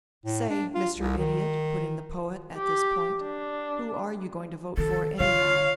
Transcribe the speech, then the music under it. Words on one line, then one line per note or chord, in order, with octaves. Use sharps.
"Say, Mr. Idiot," put in the Poet, at this point, "who are you going to vote for, anyhow?"
A2
D4
F4
C2
D#3
G4
D4
D#3 A4
D3 F4 C#5 F5